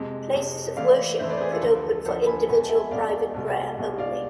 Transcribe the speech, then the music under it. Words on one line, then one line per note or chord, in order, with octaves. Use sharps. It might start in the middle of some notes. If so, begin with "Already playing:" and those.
Places of worship could open for individual private prayer only.
Already playing: F2 C3 G#3
F2 C3 G#3
F2 E3 A3 D5 F5
F2 E3 A3 C5 E5
B4 D5
C5
G#4 B4
F4 A4
D2 D3 F3
D2 D3 F3 A4 C5
G#5 B5
E2 B2 G#3 G#5 B5
A5
E5 G#5
E2 B2 G#3 D5 F5
C2 B2 G#3
C2 B2 G#3
D5 F5